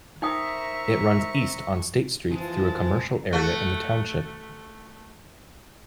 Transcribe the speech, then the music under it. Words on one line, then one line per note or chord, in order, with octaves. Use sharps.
It runs east on State Street through a commercial area in the township.
D#4 A#4 C5 E5 G5 A#5 C#6 D#6
E3 F3 G#3 C4 A5
A3 F#4